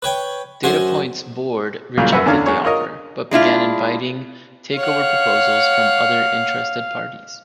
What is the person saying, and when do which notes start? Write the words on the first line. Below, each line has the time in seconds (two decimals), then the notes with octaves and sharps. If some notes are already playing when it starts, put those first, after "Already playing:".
Datapoint's board rejected the offer but began inviting takeover proposals from other interested parties.
0.03 B4 C#5 G5
0.63 F#2 C5 F#5 G#5
1.97 A#2 C#3 F#3 G3 A#3 F4
2.12 F#2 B4 E5 F#5
2.25 E2 D3 C#4 D4 F5
2.46 E2 G#4 C#5
2.64 F4 A#4 C#5 D#5
3.31 G#3 D4 E4 F4
4.78 C#5 F5 F#5